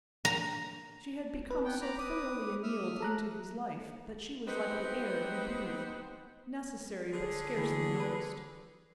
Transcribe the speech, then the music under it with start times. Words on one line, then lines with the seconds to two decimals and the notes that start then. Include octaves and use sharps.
She had become so thoroughly annealed into his life that she was like the air he breathed--necessary but scarcely noticed.
0.25 A#5
1.51 B4
1.65 B3 G5
1.82 A#5 B5 D6
1.99 B4 D6 D#6
2.63 E5 D#6 F6
3.00 A4 A#5 F#6
4.46 B3 C4 D#4 G4 B4 C5
7.12 D3 G#4
7.57 D2 E3 A#3
8.00 B4